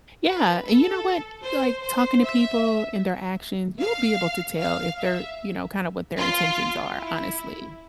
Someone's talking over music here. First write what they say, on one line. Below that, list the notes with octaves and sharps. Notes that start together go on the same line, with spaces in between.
Yeah, and you know what? Like, talking to people and their actions, you will be able to tell if they're you know, kinda what their intentions are, honestly,
B4
A4
C5
C5
E5
F5
F5
E5
F4
E4